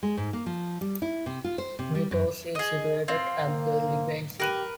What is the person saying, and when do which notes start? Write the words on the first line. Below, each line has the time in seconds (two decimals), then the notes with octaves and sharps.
Myrtos is situated at the Libyan Sea.
0.03 G#3
0.17 G#2
0.33 A#3
0.46 F3
0.81 G3
1.02 E4
1.26 C3
1.44 F4
1.58 C5
1.79 C3
1.95 G3
2.11 F#2
2.55 G#4 D#5
3.08 C4 F4
3.47 A#3
4.40 G4 A#4 B4